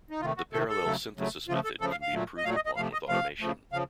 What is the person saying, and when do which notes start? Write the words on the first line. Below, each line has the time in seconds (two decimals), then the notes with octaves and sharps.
The "parallel synthesis" method can be improved upon with automation.
0.11 D#4
0.21 C3 D#3 A3 F4
0.37 F#4
0.53 C3 D#3 A3 A4
0.69 A4
0.85 C#3 F#3 A3
1.17 C#3 F#3 A3
1.48 C#3 F3 A3 F4
1.64 A4
1.81 C#3 F3 A3 A4
1.91 F5
2.02 F5
2.13 A#2 F#3 A3
2.38 D#5
2.45 A#2 F#3 A3 F5
2.55 D#5
2.66 D#5
2.76 C3 F3 A3 F5
2.93 D#5
3.08 C3 F3 A3 F5
3.40 C#3 F3 A3
3.72 C#3 F3 F5